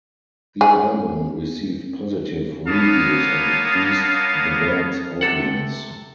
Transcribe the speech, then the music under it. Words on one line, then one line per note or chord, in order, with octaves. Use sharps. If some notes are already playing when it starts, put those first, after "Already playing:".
The album received positive reviews and increased the band's audience.
G#4
A#3 B3 C#5 F5 A5 D#6
C3 A4 F#5